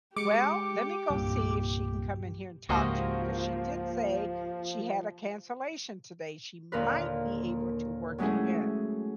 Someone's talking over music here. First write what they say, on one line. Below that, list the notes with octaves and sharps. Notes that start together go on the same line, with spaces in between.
"Well, let me go see if she can come in here and talk to you because she did say she had a cancellation today, she might be able to work you in."
G#3 G4 D6 C#7
C2 G2 A#2
C#2 G#2 F3 A#3 F#4 G4 C5 D#5
D#2 A#2 D3 A#4 B4
F#3 G#3 A3 C#4 E4 G#4